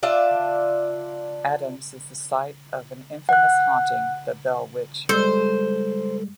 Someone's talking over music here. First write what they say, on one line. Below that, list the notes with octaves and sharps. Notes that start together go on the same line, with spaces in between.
Adams is the site of an infamous haunting, the Bell Witch.
D4 F4 D5 E5
F#5 F#6
G3 G#3 A4 C5